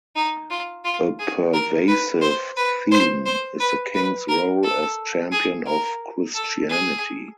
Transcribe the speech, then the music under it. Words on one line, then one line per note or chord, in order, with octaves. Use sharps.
A pervasive theme is the King's role as champion of Christianity.
D#4
F4
F4
G#4
A#4
B4
C5
B4
C5
C5
B4
B4
A#4
A4
G#4
A#4
A4
G#4